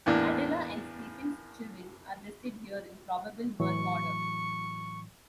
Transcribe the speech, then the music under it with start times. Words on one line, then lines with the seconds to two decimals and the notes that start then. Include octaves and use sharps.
Adela and Stephen's children are listed here in probable birth order.
0.06 E2 A2 A#3 D4
3.60 A2 E3 F#3 C#6